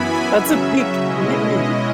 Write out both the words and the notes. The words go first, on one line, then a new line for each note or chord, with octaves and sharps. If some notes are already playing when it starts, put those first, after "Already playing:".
That's a big commitment.
Already playing: F#2 E3 B3 E4 G#5 B5
C#3 F#3 C#4 E5
E5
B2 G#3 C#4 E4 D#5